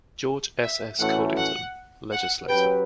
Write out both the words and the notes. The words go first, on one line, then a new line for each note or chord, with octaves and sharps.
George S. S. Codington, legislator.
E5
A2 E3 A3 C#4 F#4 F#5
F#5
F#5
F#3 C#4 G4 B4 G5